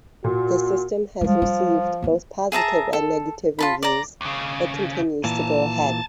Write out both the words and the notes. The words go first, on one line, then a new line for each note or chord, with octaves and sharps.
The system has received both positive and negative reviews but continues to go ahead.
A#2 F#4
F3 G3 G#3
G3 F4
A#3 B3
G#4 E5 A5 A#5
A4
F4 A5 B5
D5 A#5
D#2 C#3
A#2 E3 G#5 A5